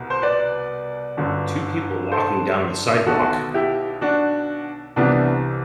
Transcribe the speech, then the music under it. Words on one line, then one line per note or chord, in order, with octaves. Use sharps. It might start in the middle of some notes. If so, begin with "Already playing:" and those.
Two people walking down the sidewalk.
Already playing: C2 B2
C5
B4 D5
G1 F#2 D3
A4 C5
B1 B2 F#4 A4
E4 G4
D4 F#4
C2 C3 E3 B3 D4